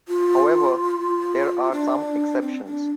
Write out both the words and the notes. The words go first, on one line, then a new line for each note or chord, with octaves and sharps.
However, there are some exceptions.
F4
D4
C4
D4